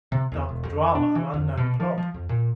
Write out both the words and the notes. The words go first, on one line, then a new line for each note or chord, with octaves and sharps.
Dark drama of unknown plot!
C3
E2
E1
F2
D4
E3
F2
B2
F3
F3
F2
A#2